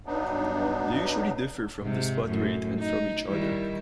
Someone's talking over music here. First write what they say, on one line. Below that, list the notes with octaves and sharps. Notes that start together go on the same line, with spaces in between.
They usually differ from the spot rate and from each other.
G2 F#3 B3 D4 D#4
G#2 C3
F#2 A2
D#4
D#3 G3 E4